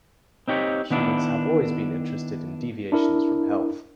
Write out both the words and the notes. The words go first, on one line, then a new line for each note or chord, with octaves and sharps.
Humans have always been interested in deviations from health.
C4 D#4 G4 C#5
D#3 B3 D4 E4
D4 E4 A#4